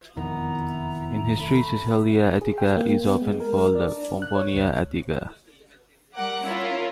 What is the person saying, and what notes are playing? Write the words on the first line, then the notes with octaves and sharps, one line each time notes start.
In history Caecilia Attica is often called Pomponia Attica.
E1 F2 D#3 B3 E4 A#5
A3 B5
G#4
G5
A#3
B3
G#3
A#4
A#4
D5
D4
F#6
C#5
C#2
G3 A#4 F#5 D6
C#4 E4 F4 A#4 C#5